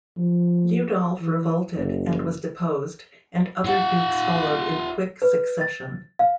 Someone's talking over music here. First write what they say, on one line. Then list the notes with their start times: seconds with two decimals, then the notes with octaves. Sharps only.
Liudolf revolted, and was deposed, and other dukes followed in quick succession.
0.17 F3
1.21 E3
1.76 F#1
3.64 F4 F#5
5.22 B4
5.61 A6
6.19 F5